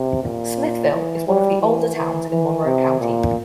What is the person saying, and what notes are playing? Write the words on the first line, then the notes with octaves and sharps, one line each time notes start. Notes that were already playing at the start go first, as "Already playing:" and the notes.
Smithville is one of the older towns in Monroe county.
Already playing: C3
A#2
E3
G3
E3
E3
E3
C3
A#2